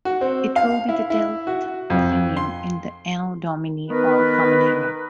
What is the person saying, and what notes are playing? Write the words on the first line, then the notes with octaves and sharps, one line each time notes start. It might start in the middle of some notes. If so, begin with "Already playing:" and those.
It will be the tenth millennium in the Anno Domini or Common Era.
F#4
C4
F5
E4
E4
F#4
F2
C6
D#3 B3 A#4 B4